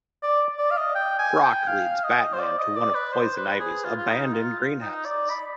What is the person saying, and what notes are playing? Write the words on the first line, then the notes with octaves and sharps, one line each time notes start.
Croc leads Batman to one of Poison Ivy's abandoned greenhouses.
D5
D5
F5
D#5
G5
G#5
G5
F5
D#5
C5
D5
D#5
D5
B4
C5
B4
G#4
F4
F4
D#4
F4
D#4
D5
B5